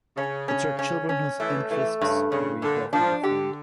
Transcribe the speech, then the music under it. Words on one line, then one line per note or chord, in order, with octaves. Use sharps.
It's our children whose interests we have to defend.
C#3 C#4
C#4
C#4
C#4
E3 A3
E3 A3
G2 C#3
G2 C#3
A#2 D3
F3 D4
D3 G4